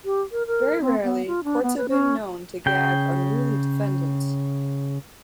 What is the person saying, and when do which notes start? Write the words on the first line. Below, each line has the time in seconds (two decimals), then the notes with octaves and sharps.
Very rarely, courts have been known to gag unruly defendants.
0.05 G4
0.32 A#4
0.47 A#4
0.81 C4
1.04 B3
1.27 F4
1.44 D4
1.63 B3
1.77 B4
1.89 C#4
2.66 C#3 G5